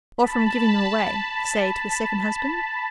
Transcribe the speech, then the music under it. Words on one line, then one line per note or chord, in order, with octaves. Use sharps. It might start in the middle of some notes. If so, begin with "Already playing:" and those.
"Or from giving them away,--say to a second husband."
A5 B5